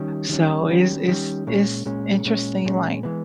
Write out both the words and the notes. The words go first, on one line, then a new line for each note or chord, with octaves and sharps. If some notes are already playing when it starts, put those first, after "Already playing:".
so it's it's it's interesting, like
Already playing: D#3 G3 C#4
D#3 G3 C#4
D#3 G3 C#4
D#3 G3 C#4
A#2 G#3 C#4
A#2 G#3 C#4
A#2 G#3 C#4
A#2 G#3 C#4
E3 G#3 B3